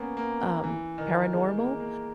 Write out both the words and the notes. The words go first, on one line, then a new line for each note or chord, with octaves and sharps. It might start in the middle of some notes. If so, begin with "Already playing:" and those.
um, paranormal,
Already playing: A#3 B3 C#4
A#3
E3
D#3
G#3
A#3
A#3